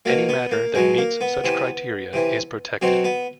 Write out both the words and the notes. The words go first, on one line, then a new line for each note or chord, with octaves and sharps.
Any matter that meets such criteria is protected.
B2 F#3 A#3
B3
A#3
B2 F#3 G#3
A#3
B3
C3 E3
C3 E3
B2 F#3 C4
B3